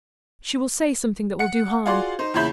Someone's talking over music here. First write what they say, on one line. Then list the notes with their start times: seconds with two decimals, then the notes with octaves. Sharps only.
She will say something that will do harm.
1.39 F#5 C#7
1.86 F4 F#4 G#4 D5 C6
2.19 D#4 C5
2.34 E2 A#2 C#3 E4 B5 G6